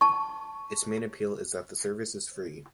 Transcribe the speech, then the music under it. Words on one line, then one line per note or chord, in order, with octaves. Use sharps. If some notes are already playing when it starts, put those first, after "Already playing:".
Its main appeal is that the service is free.
A5 C#6